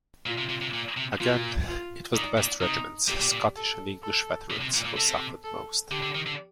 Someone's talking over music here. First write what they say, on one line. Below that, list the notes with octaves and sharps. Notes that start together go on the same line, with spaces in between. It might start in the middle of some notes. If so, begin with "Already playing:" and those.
Again, it was the best regiments, Scottish and English veterans, who suffered most.
A#2 F4
C3
C3
C3
A#2
C3
A#2 F4
F4
A#2 D#4
A#2
C3 D#4
A#2 G4
A#2
A#2
A4
A4
A2
C3
A#2
A#2
C3 A4
A4
D3 G4
D3
D#3
D3